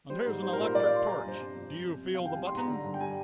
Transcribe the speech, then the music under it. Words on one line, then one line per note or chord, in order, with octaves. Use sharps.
"And here's an electric torch. Do you feel the button?"
G3 C5
G#2
G3 C5
A#2 A#4
C5
G3 D5
F5
A#2
C6
F3 A#5
G#5
G2
C5
C3
F2
G3
C3
C3
F2 F5
G5
G3 G#5
G#2 C6
A#5
D3
G2
G5
G3 G#5